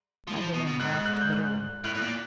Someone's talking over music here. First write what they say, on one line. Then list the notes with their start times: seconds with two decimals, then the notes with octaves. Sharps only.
Magdalen laughed, bitterly.
0.27 F3
0.36 E3
0.40 F3
0.54 B2
0.66 B2
0.80 G#2 F#6
1.06 F#6
1.21 G6
1.33 F#6
1.84 A2 F#6
1.95 A2
2.02 A#2